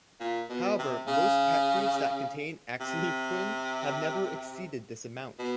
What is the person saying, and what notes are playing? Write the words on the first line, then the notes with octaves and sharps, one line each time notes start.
However, most pet foods that contain ethoxyquin have never exceeded this amount.
A#2
B2
C3
C#3
C3
B2